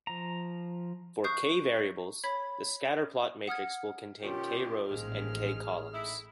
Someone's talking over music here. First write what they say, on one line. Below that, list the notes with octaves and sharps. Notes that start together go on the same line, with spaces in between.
For k variables, the scatterplot matrix will contain k rows and k columns.
F3 A#5
C#6 D#6 F#6 G6 C7
C#5 B5 G#6 B6
F#5 D#6 F6 G#6
B2 D#3 C#4 F4 G4
A1 A#2 D#3 F3 G#3 G#4 F6
A2 D#4 E4